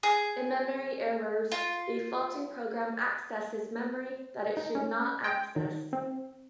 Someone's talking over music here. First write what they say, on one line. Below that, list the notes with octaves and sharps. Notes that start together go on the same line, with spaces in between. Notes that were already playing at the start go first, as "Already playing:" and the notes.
In memory errors, the faulting program accesses memory that it should not access.
G#4
F4
D#4
C#4
G5
D#3
C4